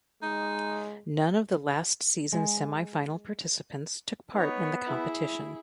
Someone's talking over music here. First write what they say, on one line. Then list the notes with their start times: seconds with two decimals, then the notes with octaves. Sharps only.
None of the last season semifinal participants took part in the competition.
0.22 G#3 D#4
2.33 G#3
4.33 B3 D#4 C#5
4.86 E4 G#4